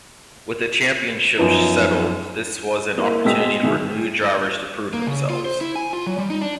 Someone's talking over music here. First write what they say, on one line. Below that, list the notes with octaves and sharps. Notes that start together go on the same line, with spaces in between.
With the championship settled, this was an opportunity for new drivers to prove themselves.
F#2 F3 B3 D#4
A#3 E4
B2 G#3 G5 E6 B6
B2 D#3 E4 G#4
A#3
C#3
F4
C5
E4
G#5
F4
F#3
G3
D#4
D4